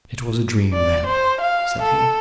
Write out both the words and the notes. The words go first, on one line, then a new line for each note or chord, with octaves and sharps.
'It was a dream, then,' said he.
D5
C5
F5
A4